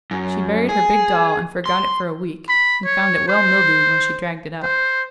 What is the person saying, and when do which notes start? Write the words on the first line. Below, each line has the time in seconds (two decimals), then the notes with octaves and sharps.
She buried her big doll and forgot it for a week, and found it well mildewed when she dragged it up.
0.11 F#2
0.69 G#4
1.66 C6
2.49 B5
2.85 C#5
3.28 C5
4.63 C5